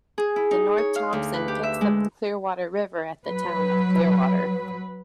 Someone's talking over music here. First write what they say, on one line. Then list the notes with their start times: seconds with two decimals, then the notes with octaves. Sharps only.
The North Thompson picks up the Clearwater River at the town of Clearwater.
0.18 G#4
0.36 E4
0.51 D#4
0.78 C#5
0.96 F5
1.13 D2
1.34 B4
1.48 G4
1.63 E5
1.81 G#3
3.27 F#3 B4